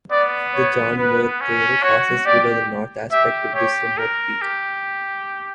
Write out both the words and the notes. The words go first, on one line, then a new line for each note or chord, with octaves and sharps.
The John Muir Trail passes below the north aspect of this remote peak.
B3 D5
C#5
B3 B4
C#4
F#4 C#5
G4 D5
G4 E5
G4 C#5
A#4
G4